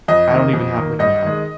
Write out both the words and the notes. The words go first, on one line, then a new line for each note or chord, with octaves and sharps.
I don't even have, like, a
F2 D#5
D#3 A#3
F2
D#3 A#3
G2 D#5
D#3 G#3